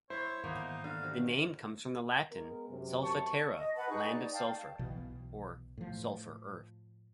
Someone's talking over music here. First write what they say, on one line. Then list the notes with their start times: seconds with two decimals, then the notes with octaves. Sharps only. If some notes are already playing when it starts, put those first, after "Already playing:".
The name comes from the Latin, "Sulpha terra", "land of sulfur", or "sulfur earth".
0.10 E4 C5 C#5
0.44 G#2 D#3 E3 A#3 B3 D#4
0.84 D3 F5
1.04 C3
2.31 G#3 B3 A#4
2.69 F#2 C3
3.03 A5 C#6
3.58 D#5
3.75 B4 F#5 A5 B5
3.89 D#4 G#4 C#6
4.09 D5
4.33 F5 G5 A5
4.79 B1 B2 E3
5.77 A2 F3